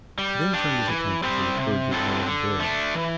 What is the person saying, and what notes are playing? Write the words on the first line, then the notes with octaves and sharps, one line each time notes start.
He then turned his attention to the clergy already there.
G3
D4 G4
E3
G3 C4 G4
C3
F#3 C4 E4 A4
D3
A3 D4
E3